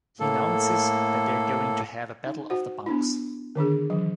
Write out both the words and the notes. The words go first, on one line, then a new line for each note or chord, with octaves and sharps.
He announces that they're going to have a battle of the bunks.
A2 A#3 A4
D#4
F#4 C5 F#5
B3 D4 E4
D3 D#3 D4 G#4
E3 F#3